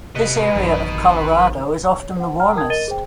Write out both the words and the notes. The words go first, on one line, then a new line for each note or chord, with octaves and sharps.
This area of Colorado is often the warmest.
C3 B4 D#5
A1 F#2 D#3
C#5
C5 F#5
F#5 G5 A#5 F6
A#4 G5 A5 D#6 G#6
A#4 D#5 A6 D#7 G7
G#4 C5 G5